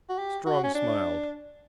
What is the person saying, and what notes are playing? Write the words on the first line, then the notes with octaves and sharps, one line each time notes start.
Strong smiled.
F#4
G4
F#4
C#4
D4